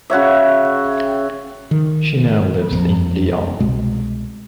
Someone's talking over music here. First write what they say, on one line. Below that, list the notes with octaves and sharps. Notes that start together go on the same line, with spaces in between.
She now lives in Lyon.
C#3 F#4 C#5 E5
D#3
A#1 F2 F3
C2 B2 G#3